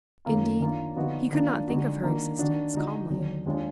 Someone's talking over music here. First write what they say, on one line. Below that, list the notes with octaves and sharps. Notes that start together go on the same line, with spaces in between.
Indeed, he could not think of her existence calmly.
F#2 D#3 A#3 F4
D#3 A#3 D4 F4
D3 F3 B3 D#4 F#4
D#3 A#3 D4 F4
D3 G#3 D#4 F#4
D#3 A#3 D4 F#4
D#3 A#3 D4 F#4
D3 G#3 D#4 F#4
D#2 D3 F#3
D#2 D#3 G#3 D4 F4